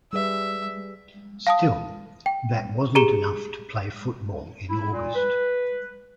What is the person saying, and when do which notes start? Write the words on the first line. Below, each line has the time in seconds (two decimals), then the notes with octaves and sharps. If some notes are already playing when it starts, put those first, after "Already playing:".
Still, that wasn't enough to play football in August.
0.13 G3 G#4 B4 E5
1.47 F5 A5 D#6
2.26 G5
2.95 G4 G#4 A#5 C#7 E7 G7
4.69 E4
4.92 A#2
5.15 B4